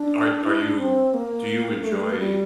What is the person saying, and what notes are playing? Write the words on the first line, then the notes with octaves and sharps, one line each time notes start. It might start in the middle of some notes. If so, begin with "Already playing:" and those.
Are are you do you enjoy
Already playing: D4
E4
D4
C4
A#3
A3
G3
A3
A#3
G3